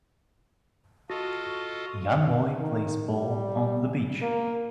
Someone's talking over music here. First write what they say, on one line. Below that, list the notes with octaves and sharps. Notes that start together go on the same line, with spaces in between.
Young boy plays ball on the beach.
F4 F#4 A4 D#5
D#3
G3
A#3